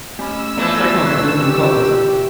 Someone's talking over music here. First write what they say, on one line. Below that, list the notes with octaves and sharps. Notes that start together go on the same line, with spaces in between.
Zeig mal, was alles in dem Korb ist.
A3 C#4 B5 E6
E3 F3 A3 B3 A4 D5
C#6 F#6
G4